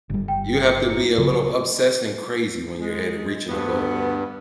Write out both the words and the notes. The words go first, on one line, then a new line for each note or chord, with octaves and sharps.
You have to be a little obsessed and crazy when you're ahead of reaching a goal.
G1 G3
G5
E4 C#7
D1 C#3 F#3
G#3
D2 G2 B3